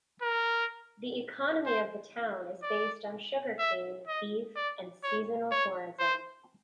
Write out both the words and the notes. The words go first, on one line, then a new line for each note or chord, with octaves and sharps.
The economy of the town is based on sugar cane, beef and seasonal tourism.
A#4
C5
D5
E5
D#5
D5
C#5
C#5
C5